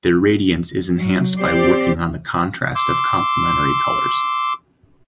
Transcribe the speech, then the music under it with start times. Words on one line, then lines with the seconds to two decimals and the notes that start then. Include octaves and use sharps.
Their radiance is enhanced by working on the contrast of complementary colors.
0.95 F#3
1.39 C4 G4 C5 D5
2.75 C6 D6 E6